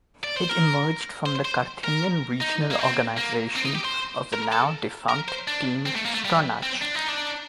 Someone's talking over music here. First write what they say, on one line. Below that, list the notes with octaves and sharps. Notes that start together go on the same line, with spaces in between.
It emerged from the Carinthian regional organization of the now defunct Team Stronach.
D5
C5
A#4
C5
C5
A#4
D#4
A#3
C4
A#3
C4
D#4
G4
C5
A#4
A4
A#4
C5
D4
C4
A3
A#3
A3
G3
C4
D4
D#4
D4